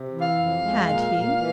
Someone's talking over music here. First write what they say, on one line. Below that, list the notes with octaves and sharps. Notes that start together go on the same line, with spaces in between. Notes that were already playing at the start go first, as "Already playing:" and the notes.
Had he?
Already playing: C3
E3
F5
F2
G#3
A#2
A#2
E3